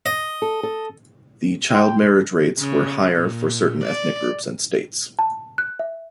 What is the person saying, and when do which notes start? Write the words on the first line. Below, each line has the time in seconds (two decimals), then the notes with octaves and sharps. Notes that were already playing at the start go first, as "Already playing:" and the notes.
The child marriage rates were higher for certain ethnic groups and states.
0.06 D#5
0.42 A4
0.63 A4
1.71 E4 G5 C6
2.59 C#3
3.13 A#2
3.85 D5
5.19 A5
5.58 F#6
5.79 E5